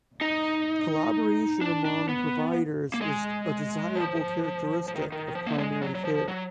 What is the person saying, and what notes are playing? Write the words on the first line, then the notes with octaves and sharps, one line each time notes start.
Collaboration among providers is a desirable characteristic of primary care.
D#4
D4
D4
B3
A#3
G#3
F3
F3
D#3
D#3
F3
A#3
G#3
F#3
F#3
F3
F#3